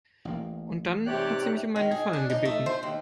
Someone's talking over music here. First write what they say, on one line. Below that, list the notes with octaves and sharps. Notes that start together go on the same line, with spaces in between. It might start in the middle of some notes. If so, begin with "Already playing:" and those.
Und dann hat sie mich um einen Gefallen gebeten.
A1 A#3
G#2 C3 G4 C#5 D5 F#6
D#3
G#4
D4
D#4
A3
C5
D#2